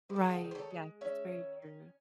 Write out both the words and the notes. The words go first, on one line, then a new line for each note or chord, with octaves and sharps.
Right, yes, that's very true.
G#3 C5
A4
G#4
F#4 A4
D#3
C5
A4 C#5
G#3
C#4 C#5 E5
D#3
C#4